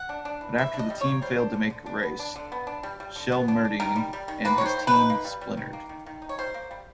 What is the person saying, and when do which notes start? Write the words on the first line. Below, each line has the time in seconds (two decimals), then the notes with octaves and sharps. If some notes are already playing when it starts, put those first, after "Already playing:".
But after the team failed to make a race, Shelmerdine and his team splintered.
Already playing: F#5
0.09 D4
0.25 D4
0.41 E3
0.58 E3 E5
0.74 D4
0.79 D#5
0.90 G3
1.01 A#3 C#5
1.22 G3 C5
1.39 D4
1.54 D3
1.70 D3
1.86 D4
2.03 B3
2.19 D4
2.36 D3
2.52 B3
2.67 D4
2.83 G3
3.00 G3
3.16 D3
3.32 B3
3.48 D4
3.65 D4
3.80 D#3 A#4
3.96 G3
4.13 G3
4.28 D#3
4.45 A#3 B4
4.58 C#5
4.61 D#3 C5
4.77 D#3
4.87 B4
4.93 D#4
5.10 A#3
5.25 G3
5.41 G3
5.57 D#3
5.73 A#3
5.89 D#3
6.06 D#3
6.22 D#4
6.29 C#5
6.38 G3 C5
6.54 A#3
6.71 G3